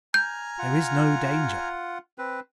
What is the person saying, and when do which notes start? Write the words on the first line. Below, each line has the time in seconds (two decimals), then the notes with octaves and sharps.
"There is no danger."
0.14 G#5 A#5 F6 G6
0.59 F4 F#5
2.18 C4 B4